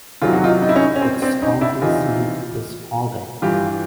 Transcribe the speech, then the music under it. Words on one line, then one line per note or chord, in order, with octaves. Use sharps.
Its county seat is Paulding.
E2 C3 D#3 F#3 F4
F#4
D#4 F4
D#4
E4
C#4 D#4
C#4
C4
C4 D4
C#4 D#4
D4 E4
E2 C3 E3 D#4 F4
G2 E3 F4 G4